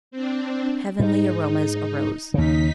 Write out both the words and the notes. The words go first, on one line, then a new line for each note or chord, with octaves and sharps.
Heavenly aromas arose.
C4 D4
G#2 D#4
D#2 C#3 D#4 B6